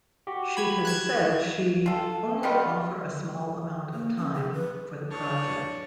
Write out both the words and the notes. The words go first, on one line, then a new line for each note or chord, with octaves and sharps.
She has said she "only offer a small amount of time" for the project.
F#4 G4
B5 G#6
F#6 G#6 E7
F4 A4
B2 G3 B3 F4
A#3
C#4
G#4
B4
D4 C#5